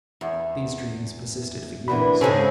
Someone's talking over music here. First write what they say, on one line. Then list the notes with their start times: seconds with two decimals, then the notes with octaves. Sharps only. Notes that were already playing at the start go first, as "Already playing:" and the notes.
These dreams persisted for years.
0.21 E2
1.88 A#2 D3 E3 B5
2.21 G#2 C#3 G#3 C4 G#4 A4